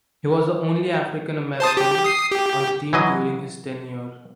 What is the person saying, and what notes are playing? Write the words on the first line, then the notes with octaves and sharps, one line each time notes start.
He was the only African American on the team during his tenure.
C5 A5 D#6
G4
D#6 C7
G4
E3 F#3 D#5